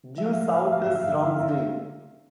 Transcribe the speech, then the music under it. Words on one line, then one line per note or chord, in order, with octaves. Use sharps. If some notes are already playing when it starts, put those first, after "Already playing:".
Due south is Ramsden.
F3 E5
F5
E5
F5
A3 E5
F5
E5
F5
E5
G2 F5
E5
F5
E5
D3 F5
E5
F5
E5